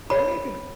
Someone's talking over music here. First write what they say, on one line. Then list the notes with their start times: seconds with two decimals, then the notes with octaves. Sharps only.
There you g
0.10 C#5 B5